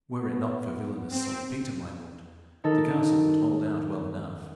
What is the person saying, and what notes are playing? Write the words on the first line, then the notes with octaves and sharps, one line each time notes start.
'Were it not for villanous saltpetre, my lord, the castle would hold out well enough.'
B3
C4 G5
D#3 D#4 A4 A#4